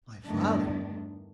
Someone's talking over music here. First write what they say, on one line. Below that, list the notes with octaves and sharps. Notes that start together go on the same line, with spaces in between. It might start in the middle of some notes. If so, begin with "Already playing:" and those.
"My father!"
E2 G2 D3 D#3 A3 D4